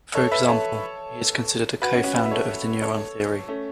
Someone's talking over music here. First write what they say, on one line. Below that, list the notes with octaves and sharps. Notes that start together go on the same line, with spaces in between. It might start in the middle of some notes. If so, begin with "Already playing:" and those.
For example, he is considered a co-founder of the neuron theory.
A4 C#5
B4 E5
E5
A4 C#5
F#4 B4
C#4 F#4
C#4 F#4
F#4 B4
E5
A4 C#5
A4 C#5
A3 C#4